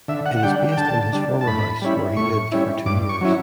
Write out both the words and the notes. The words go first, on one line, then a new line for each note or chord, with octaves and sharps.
It is based in his former house, where he lived for two years.
D3 E5
F#5
F#5
G3 D4 G5
G5
D3 A5
G3 D4
A5
A2 B5
G3 C#4 E4
A2 C#6
G3 C#4 E4
G2 D6
C#6
F#3 C#4 E4